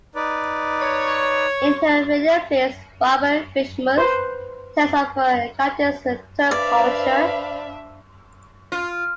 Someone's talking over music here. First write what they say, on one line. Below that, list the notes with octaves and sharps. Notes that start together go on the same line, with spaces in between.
In her radio plays, Barbara Frischmuth tells of her encounters with Turk culture.
D#4 B4 D5
C#5
B4 C5
D4 B4 C5 D5 E5 F5 B5
F4